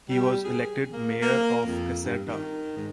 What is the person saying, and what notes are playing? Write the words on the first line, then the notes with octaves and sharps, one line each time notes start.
He was elected mayor of Caserta.
G3
G#4
A#3
A#3
F2
G2
D#3
G#2